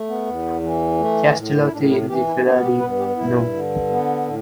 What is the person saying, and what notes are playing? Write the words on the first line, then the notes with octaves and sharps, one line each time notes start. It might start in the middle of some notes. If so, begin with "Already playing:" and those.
Castellotti in the Ferrari no.
Already playing: A3
B3
E2
E3
A3
A2
E4
A2 D4
E4
E3 G4
E4
B3 D4
G4
G2 B4
G4
G2 E4
D3
B3
A2